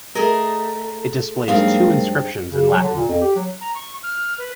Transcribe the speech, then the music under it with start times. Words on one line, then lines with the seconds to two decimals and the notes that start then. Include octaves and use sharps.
It displays two inscriptions in Latin.
0.15 A3 G#4 A#4 D#5
1.48 G2 F#3 G#3 A#3 C4 D#4 G#4 F5
2.51 C#3
2.72 F#3
2.83 D3
2.96 A#2
3.08 F2
3.21 G4
3.36 F#3
3.61 A#5
3.75 C#6
4.03 F6
4.38 B4